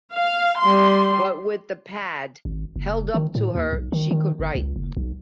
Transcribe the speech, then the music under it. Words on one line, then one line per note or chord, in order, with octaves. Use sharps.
But with the pad held up to her she could write.
F5
G3 C6
G#1
F#1
D#3
A2
D#2
B1
D#3
D#3
G1
C#2
F#1
B1